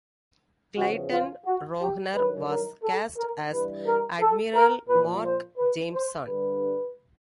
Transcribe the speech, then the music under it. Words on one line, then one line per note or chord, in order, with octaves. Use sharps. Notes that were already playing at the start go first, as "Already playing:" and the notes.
Clayton Rohner was cast as Admiral Mark Jameson.
E2 C#3 F3 F#4
F4
F#4
G4
G2 D#3 F#3 B4
A#4
A4
A#4
G2 E3 G3 B4
A#4
A4
A#4
A#2 F3 B4
C5
B4
C5
G2 D3 G3 B4